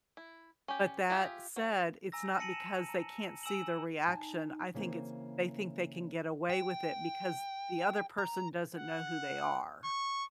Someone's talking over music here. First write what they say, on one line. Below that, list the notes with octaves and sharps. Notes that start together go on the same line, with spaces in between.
but that said, it's not because they can't see their reaction. I think it's they think they can get away with it because the other person doesn't know who they are.
E4
C#4 G4
D4 F4 G4 G#4 E5
F#3
G#5 A#5 E6 A#6
A5 A#6 C#7 D#7 F#7
E7
A#5
G#5 E6 E7 F#7
D#4 G#5 A5
C#3 E3 A#3 C4
G5
A#5
F#5
C#6